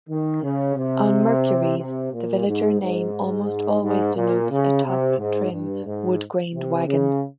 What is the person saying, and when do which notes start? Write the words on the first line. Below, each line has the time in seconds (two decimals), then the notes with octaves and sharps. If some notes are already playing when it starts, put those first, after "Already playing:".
On Mercuries, the Villager name almost always denotes a top trim, wood grained wagon.
0.09 D#3
0.43 C#3
0.76 C3
1.78 C3
2.12 A#2
2.46 G#2
2.81 G#2
3.82 G#2
4.15 A#2
4.50 C#3
4.84 C3
5.18 G#2
5.52 G2
5.85 G#2
6.54 C3
6.87 C#3